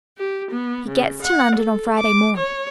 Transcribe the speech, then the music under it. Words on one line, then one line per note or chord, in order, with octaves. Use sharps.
He gets to London on Friday morning.
G4
B3
C#3
F#5
A4
D6
C#5